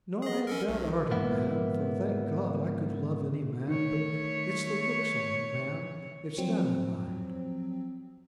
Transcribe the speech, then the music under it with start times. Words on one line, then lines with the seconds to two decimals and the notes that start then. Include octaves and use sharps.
'Nor I han't down'arted, ma'am, for thank God I could love any man, but it's the looks on it, ma'am; it's that I mind.'
0.22 G#4 D#5
0.47 C#4 A4 A#4
0.69 B1
1.11 G#2 A#3 B3 E4
3.67 D#3 A3 C#5
6.38 F3 F#3 C4